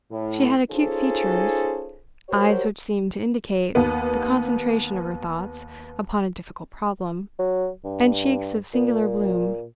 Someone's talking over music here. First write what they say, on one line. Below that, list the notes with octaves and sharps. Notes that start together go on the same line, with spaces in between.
She had acute features; eyes which seemed to indicate the concentration of her thoughts upon a difficult problem, and cheeks of singular bloom.
A2
C#4 D#4 F4 G#4 A4 C5
F#4 G4 A#4 C5 C#5
D#2 B3
F#3
G2
A#2